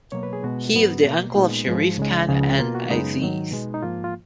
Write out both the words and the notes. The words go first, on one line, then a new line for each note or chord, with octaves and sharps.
He is the uncle of Sharif Khan and Aziz.
B2 F#3 A#3 C#5
B4
G#4
B2 G#3 B3 F#4
G#2 F#3 B3
B2 A#3
A#2 G#3 B3 D#4
G#2 F3 G#3
C#2 C#3 G#3
C#2 C#3 F3
B2 A#3 F4
F#4
F#2 C#3 G#3 B3 D#4
G#2 D#3 F#3
B2 G#3 B3
D#4
G#2 F3 A#3 F4
F4